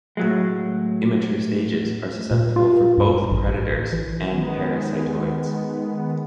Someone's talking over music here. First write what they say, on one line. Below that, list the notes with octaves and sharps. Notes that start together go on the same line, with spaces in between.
Immature stages are susceptible for both predators and parasitoids.
A2 F#3 G#3
A#2
F4
G2
A1
E3
D#3 G#3 B3